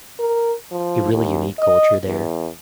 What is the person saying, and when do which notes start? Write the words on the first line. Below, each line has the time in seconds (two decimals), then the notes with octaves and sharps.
a really unique culture there.
0.20 A#4
0.72 F3
1.13 D#2
1.59 D#5
2.05 E2